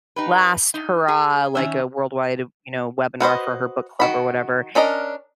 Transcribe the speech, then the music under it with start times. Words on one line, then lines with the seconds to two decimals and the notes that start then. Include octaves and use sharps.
last hurrah, like a worldwide, you know, webinar for her book club or whatever,
0.16 D#4 G4 B4
0.74 D#4
1.08 G#4
1.55 D#3 C#4 E5
3.20 F#4 B4 C5 D#5
4.00 D#3 F#4 B5
4.75 C#4 D4 A#4 D#5